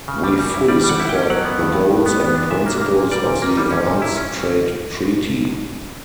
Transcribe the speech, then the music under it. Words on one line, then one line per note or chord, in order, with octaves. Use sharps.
We fully support the goals and principles of the arms trade treaty.
C#3
G3
G3
E4
G3 D5
G3
F#5
E4
G5
C#4
F#3 F#5
B3
G2
G2
G2
B3
B3
D4
A#2 E5
A#3
A#3
A#2
G3 D5
A#2
A#3
G3
C#4
A#2
E4
C#4